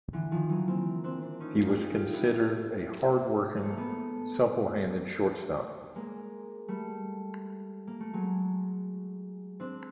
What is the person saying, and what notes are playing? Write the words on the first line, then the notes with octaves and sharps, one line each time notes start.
He was considered a hard-working, supple-handed shortstop.
D3 E3
D#3 F3
E3 F#3
A#3 C4
C4 D4
C4 D4
C#4 D#4
D#4 F4
G#4
F4 G4
F4 G4
D#4
D4 E4
G#3
A3
A#3
A3 B3
G#3 A#3
G3 A3
A#3
A3
F#3 G#3
C4 D4